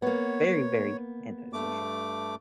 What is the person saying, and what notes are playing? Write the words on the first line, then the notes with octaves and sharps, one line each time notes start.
very, very antisocial.
A#3 B3 C#5
G2 A3 D6